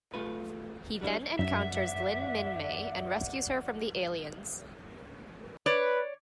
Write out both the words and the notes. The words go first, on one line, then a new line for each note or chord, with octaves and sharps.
He then encounters Lynn Minmay and rescues her from the aliens.
A3 F4 B4
F#3 G3 D4 E4
F#2 D5 E5 F#5
B4 C#5 D5